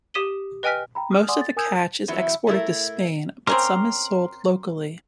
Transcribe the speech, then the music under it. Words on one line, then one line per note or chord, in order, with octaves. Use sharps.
Most of the catch is exported to Spain, but some is sold locally.
G4 D#6 B6 D#7 G7
B4 D#5 G5 G#5 F6 B6
G5 A#5 B5
D#6 F6
D5 F#5 G#5 C6 D6 D#6
A6
A#4 G#5 D#6 E6 G6 G#6
E2 F#3 E4
A3 E4 A#4
C4 C#4 A#4 C6 D6 F6